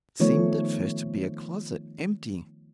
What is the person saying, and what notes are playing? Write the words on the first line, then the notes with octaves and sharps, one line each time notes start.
It seemed at first to be a closet, empty.
D#3 F3 A3 B3 C#5